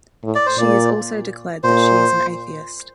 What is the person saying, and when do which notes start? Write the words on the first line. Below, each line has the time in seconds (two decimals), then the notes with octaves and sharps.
She has also declared that she is an atheist.
0.24 A2
0.35 D5
0.46 C5
0.58 A#2 D5
1.63 A#2 C5